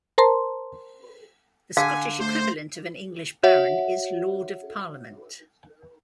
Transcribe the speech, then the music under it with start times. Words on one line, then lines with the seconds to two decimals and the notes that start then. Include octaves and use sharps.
The Scottish equivalent of an English baron is "Lord of Parliament".
0.18 A#4 C5 A5 A#5 C6
1.77 D3 F5 G#5
2.20 A3 C5
3.43 F#4 C#5 E5 F#5